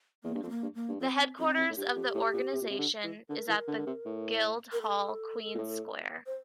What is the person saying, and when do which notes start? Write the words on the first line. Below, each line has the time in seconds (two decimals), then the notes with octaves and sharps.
The headquarters of the organisation is at the Guild Hall, Queens Square.
0.24 E2 A#3
0.35 G2
0.43 F2 C4
0.49 A#3
0.62 G2
0.75 A#3
0.89 G2
1.00 F2 C4
1.38 F2 C4
1.58 F2
1.69 A2
1.77 G2 G4
1.96 F2
2.15 A2
2.34 A#2
2.53 C3
2.62 A#2
2.70 C3
2.78 D3
3.04 E3
3.29 D3 A#4
3.48 E3
3.68 D3
3.78 D3
3.87 C3
4.06 A2
4.72 A#4
4.82 A4
5.54 A#2
5.58 A2
6.26 C5